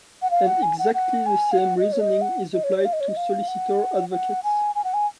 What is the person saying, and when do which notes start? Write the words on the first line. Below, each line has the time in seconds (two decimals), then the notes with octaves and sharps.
And exactly the same reasoning is applied to solicitor advocates.
0.22 F#5
0.31 F5
0.47 F#5
0.63 G#5
0.79 F#5
0.95 F#5
1.26 G#5
1.52 F5
1.58 F#5
1.79 D#5
1.93 C#5
2.00 D#5
2.22 F#5
2.54 D#5
2.64 C#5
2.85 F5
2.93 D#5
3.01 C#5
3.08 D#5
3.17 F5
3.48 F#5
4.12 F#5
4.44 G#5
4.75 G#5
4.84 F#5
4.94 G#5